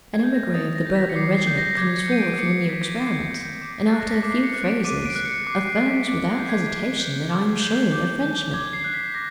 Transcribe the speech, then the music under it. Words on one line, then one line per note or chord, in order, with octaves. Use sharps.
An emigre of the Bourbon regiment comes forward for the new experiment, and after a few phrases affirms without hesitation that I am surely a Frenchman.
G#6
G6
A#6
D#6 A6
A#6
G6 A#6
B6
C#7
D6 C7
C7
G6
A#6
D6 G#6
C#7
G6 D#7
D7
C7
D6 C#7
G6 B6
D6 C7
G6
D6
A6
F#6
A#6
B6
D6 C7
C#7
F#6
D7
D6 D#7
D7
F#6
C#7
D6 C7
C7
F#6
B6
D6
G#6
G6
G#6
D6
G6
D6
G6
D6 G6
G6
D6 G#6
C7
F#6
B6
D6 A#6